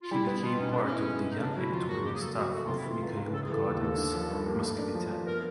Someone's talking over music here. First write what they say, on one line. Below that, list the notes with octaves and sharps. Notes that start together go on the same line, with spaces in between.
He became part of the "young editorial staff" of Mikhail Pogodin's "Moskovityanin".
F4
G3 E4
B3 E4
B2 F4
C#4 D#4
B3 D4
C#4
E4
G#3
G#3
D#4
C#3 D4
F#3 E4
F2 F4
A#3 F#4
C#3 G4
G#4
F#3 A4
F#2 F#4
A3 F#4
C3 F4
E4
E3 F4
C#2
C#2
C#3 A4
G#4
E3 A4
D#2
D#2
D3
F3
G2
A#3
A3
D4
F3
F3
B3 A#4